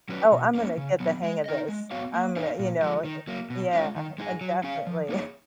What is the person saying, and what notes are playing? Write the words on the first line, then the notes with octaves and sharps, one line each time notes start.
Oh, I'm gonna get the hang of this. I'm gonna, you know eh Yeah, I I definitely.
F#3 C#4 F#4 B4
B2
A#3 C#4
C#3
F#3 B3
G#3
D#4 A#4 D#5
G#3
B3 F#4 C#5 F5
A#3
D#4 G#4 C#5 F5
A#2
F3 G#3
D#3
F#3 A#3
B2
G#3 C#4 F4
D#3
G#3 D#4 G#4
F#3
C#4 G#4 C#5 F5
F3
A#3 D#4 G#4 C#5